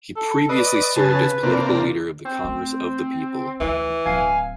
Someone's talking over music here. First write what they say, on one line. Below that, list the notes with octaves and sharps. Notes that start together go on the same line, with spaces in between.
He previously served as Political Leader of the Congress of the People.
A4
B4 D5 D#5
C#3 G#4 B4 A5
C3 A#3 D4
C4
A3
D2 E3
D1 F5 G#5